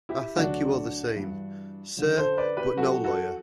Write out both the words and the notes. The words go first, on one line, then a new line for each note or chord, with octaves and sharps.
I thank you all the same, sir, but — no lawyer!
E4 G4
D2 D3 F#3 D4 F#4
G2 E3
F#2 D3 F#3
A4 C5
B4 D5
G4 B4
F#2 E3 F#4 A4
F#4 A4